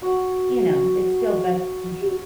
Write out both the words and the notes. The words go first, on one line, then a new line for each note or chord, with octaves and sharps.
you know, it's still best that you
F#4 F#5